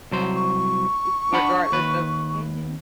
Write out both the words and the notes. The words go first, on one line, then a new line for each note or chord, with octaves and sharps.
r regardless of mhm.
C2 F#3 C5
C#6
D4 F#5 B5
D#2 B4